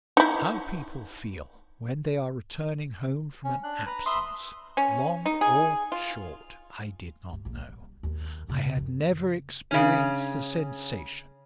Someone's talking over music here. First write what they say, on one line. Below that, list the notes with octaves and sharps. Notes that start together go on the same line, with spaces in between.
How people feel when they are returning home from an absence, long or short, I did not know: I had never experienced the sensation.
D#4 E4
C#4
D4 F#6
B4 A#5
E5 B5 C6 D#6
C#4
D#4
G#4
F4
G2
A#1 A#3
G3
D#2
F#2 C#3
F#2 C4
C#3 C#4